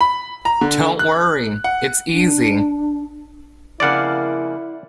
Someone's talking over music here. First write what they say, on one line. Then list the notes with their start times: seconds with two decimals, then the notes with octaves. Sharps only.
Don’t worry, it’s easy.
0.01 B5
0.45 A#5
0.61 D3
0.99 F#6
1.64 F#5
2.13 D4
3.80 F2 C#3 A#3 E4 D5 F#5